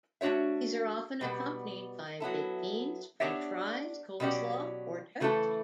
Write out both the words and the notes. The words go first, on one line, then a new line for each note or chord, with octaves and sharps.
These are often accompanied by baked beans, french fries, coleslaw, or toast.
A3 D4 F#4 C#5 E5
B2 G3 B3
F#3 B3 E4 A4
B3 D4 G4 C#5 E5
B2 F#3 C#4 G4 D5
C#3 E3 A3 E4 A4